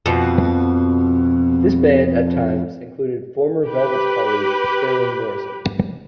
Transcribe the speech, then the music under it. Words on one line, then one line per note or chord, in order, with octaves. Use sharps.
This band at times included former Velvets colleague Sterling Morrison.
F2 B2
G4 B4